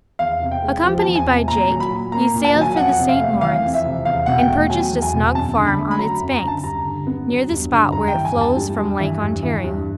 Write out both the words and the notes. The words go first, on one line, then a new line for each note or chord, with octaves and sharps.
Accompanied by Jake, he sailed for the St. Lawrence and purchased a snug farm on its banks, near the spot where it flows from Lake Ontario.
E2 F5
C3
G5
G#3
F3
A5
E2
G#5
C3
A#2 A#5
F#3
B5
A#2
A#3 A#5
A#2
A5
F#3
G#5
F2 F#5
C3
F5
A3
E3 F5
F2
E5
C3
E2 F5
B2 F#5
G5
A3
F#3 G#5
E2
G#5
B2
F#2 A5
D3
B5
A3
B5
F#3 A#5
F#2
A#5
D3
A5
G2 A#5
D3
B3
F#3
G2
D3
G2 A#5
G5
E3
G#5
G2
A5
G3
G2
E3
G2
E3
G2